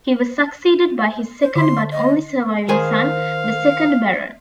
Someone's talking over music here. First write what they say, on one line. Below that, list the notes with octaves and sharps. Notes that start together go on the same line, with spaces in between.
He was succeeded by his second but only surviving son, the second Baron.
C5
D3 C6
D#5
D#3 G#4 A#4 C5 F5 G#5